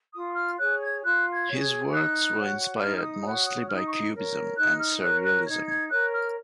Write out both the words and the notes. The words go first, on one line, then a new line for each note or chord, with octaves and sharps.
His works were inspired mostly by Cubism and Surrealism.
F4 D#6
F6
G#4 C#5 F#6
G#6
F4 F#6
G#6
G#4 C#5
G#6
D#4 F#6
F#4 C#5
D#4 F6
F6
D#6
F#4 C#5 D#6
D#6
D#4 F6
D#6
C#6
D#6
A#4 C#5
D#4 F#6
F6
A#4 C#5 F#6
F#6
D#4 G#6
G#6
A#4 C#5 F#6
F6